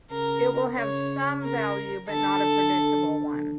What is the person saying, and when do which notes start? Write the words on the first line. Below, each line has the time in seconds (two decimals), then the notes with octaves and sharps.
It will have "some" value, but not a predictable one.
0.11 C#3 A#4
0.77 C#3 C#5
1.44 A#4
2.10 D3 A4